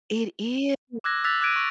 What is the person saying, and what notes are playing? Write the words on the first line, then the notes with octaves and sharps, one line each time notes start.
It is.
D6 E6 F#6 G#6 A#6
E6 F#6 A6 B6 F7
D6 F#6 G#6 D7 D#7
C#6